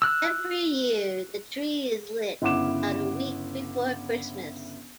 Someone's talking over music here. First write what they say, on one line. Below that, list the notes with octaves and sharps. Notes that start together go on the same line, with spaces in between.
Every year, the tree is lit about a week before Christmas.
E6 F#6
G1 C#3 E4 F#5 D6 E7